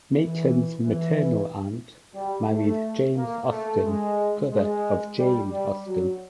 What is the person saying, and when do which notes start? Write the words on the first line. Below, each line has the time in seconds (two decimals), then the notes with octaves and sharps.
Maitland's maternal aunt married James Austin, brother of Jane Austen.
0.12 E3
0.80 E3
2.14 G3
2.48 A3
3.15 A#3
3.48 A3
3.83 G#3
4.50 G#3
5.17 G3
5.50 G3
5.84 F#3